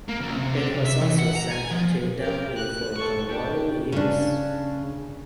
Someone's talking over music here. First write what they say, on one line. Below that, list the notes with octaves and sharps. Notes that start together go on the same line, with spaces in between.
It was also sent to Delhi for the Royal use.
A#3
C#2
C3
D3
C3
E5
E3
F#5
A#5
G#5
F3
G4 A#4
F#6
A4 C#6
D4 G4
C#3 D4